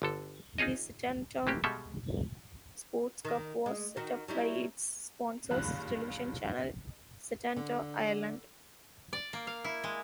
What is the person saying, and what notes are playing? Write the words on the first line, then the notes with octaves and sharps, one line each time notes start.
The Setanta Sports Cup was set up by its sponsors, television channel Setanta Ireland.
G1 D3 A4
D#4 F4 G#4 C#5 D#5
E3 A3 A#3 G4
B2 G3 G#3 A4 E5
D#3
G#3
D#3 F#4
F#3 G3 E4
F#1 G2 D#3 F4 B5 F#6
D3
D5
A#3
F5
E4
G#3